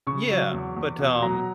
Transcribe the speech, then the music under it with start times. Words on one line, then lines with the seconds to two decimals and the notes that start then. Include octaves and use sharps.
yeah. But, um,
0.07 C#3 C#6
0.31 F#3
0.53 E2
0.76 E2
0.99 B2
1.22 F#3 A#5